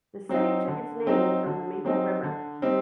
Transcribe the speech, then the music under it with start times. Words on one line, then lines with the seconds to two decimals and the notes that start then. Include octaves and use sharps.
The city took its name from the Maple River.
0.29 F#3 C4 D#4
0.68 D3
1.07 F#3 C4 D#4
1.46 D3
1.85 F#3 C4 D#4
2.23 D3
2.62 G3 C4 D#4